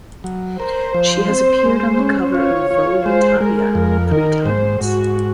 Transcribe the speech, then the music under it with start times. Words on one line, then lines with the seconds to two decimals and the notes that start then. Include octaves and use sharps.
She has appeared on the cover of "Vogue Italia" three times.
0.24 F#3
0.59 A#4 C5
0.94 F3
1.29 C4
1.65 G#3
1.99 C#4
2.35 F4 C#5
2.71 F4
3.06 G#3 C5
3.40 G#3 A#4
3.75 F2 A#4
4.11 D#3 A#4
4.45 G#2 C5
4.81 G#2 F#4